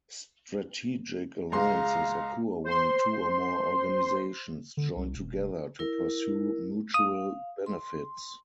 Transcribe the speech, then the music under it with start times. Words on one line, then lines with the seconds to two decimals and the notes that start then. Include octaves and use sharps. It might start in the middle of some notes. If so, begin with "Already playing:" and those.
Strategic alliances occur when two or more organizations join together to pursue mutual benefits.
1.52 C#2 G#3 F5 A#5 C6
2.64 C5 C6
4.77 D3
4.96 C2
5.15 E1
5.37 F1
5.79 E4 A#4
6.94 F5 D#6
7.66 C6